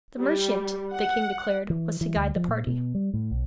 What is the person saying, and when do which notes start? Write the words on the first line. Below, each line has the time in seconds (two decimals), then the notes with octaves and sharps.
The merchant, the king declared, was to guide the party.
0.20 G3
0.94 F#5
1.70 E3
2.01 E3
2.16 D2
2.36 F3
2.48 A#2
2.67 B2
2.95 G3
3.14 A2
3.31 B1